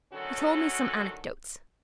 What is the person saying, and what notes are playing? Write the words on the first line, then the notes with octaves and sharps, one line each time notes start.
He told me some anecdotes.
D3 D#3 F#3 C#4 F#4 A4